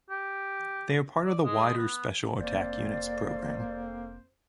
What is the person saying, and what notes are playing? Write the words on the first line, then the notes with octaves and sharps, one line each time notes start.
They were part of the wider Special Attack Units program.
G4
D5
G#3
B3
F1 F2 A#3 C4 C5 D5